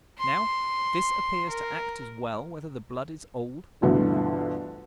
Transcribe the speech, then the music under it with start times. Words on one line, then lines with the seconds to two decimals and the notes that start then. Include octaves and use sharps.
Now, this appears to act as well whether the blood is old or new.
0.19 C6
1.50 A#4
3.82 G1 D2 B2 D3 E3